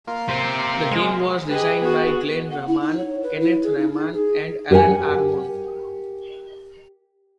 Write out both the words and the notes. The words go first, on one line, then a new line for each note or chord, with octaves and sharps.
The game was designed by Glenn Rahman, Kenneth Rahman, and Alan R. Moon.
A#3 F4
C3 C4
G#3
G4 G#4 B4 D#5
B3 F#4 G#4
F#5
E4
D#4
C#5
B4
E4
G#4
D#4
D#4
G#4
G4 A#4 D#5 F#5 G#5